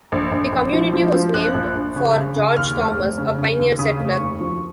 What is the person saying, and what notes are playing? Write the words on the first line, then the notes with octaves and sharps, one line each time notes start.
The community was named for George Thomas, a pioneer settler.
A#1
A#1
A#1
F3
F3
F3
A#1 F#6
A#1
A#1
C#3
C#3
C#3
D#2 F6
F1
F1
C#3
C#3
D#2
C#3 D#6
F1
C#6
D#2
F3